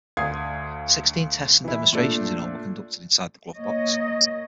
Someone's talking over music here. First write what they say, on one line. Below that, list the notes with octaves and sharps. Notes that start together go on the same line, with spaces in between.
Sixteen tests and demonstrations in all were conducted inside the Glovebox.
D2 F5 D#6 G#6 C7
E3 E4
A#2 A3 D4
A#3 C#5 D#5